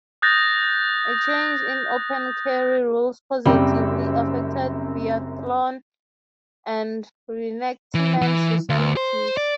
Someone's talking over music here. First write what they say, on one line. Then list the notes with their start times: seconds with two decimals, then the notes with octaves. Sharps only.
A change in open carry rules positively affected biathlon and reenactment societies.
0.22 D#6 F#6 G6 A6 A#6
3.46 F#1 F#2 G3 C4
7.95 E3
8.22 E3
8.69 D2
8.97 C5
9.37 D5